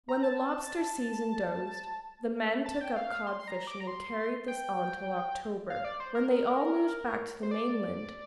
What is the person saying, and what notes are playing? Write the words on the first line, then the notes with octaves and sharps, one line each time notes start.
When the lobster season dosed, the men took up codfishing and carried this on till October, when they all moved back to the mainland.
A#5
A5
A5
G5
F5
F5
C6
C6
A#5
D6
A#5
C6
G5
F5
D5
C5
A#4
A#4
C5
D5